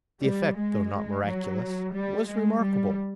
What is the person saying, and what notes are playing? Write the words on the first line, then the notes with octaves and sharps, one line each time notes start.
The effect, though not miraculous, was remarkable.
G3
G#3
F#3
G3
G#3
G3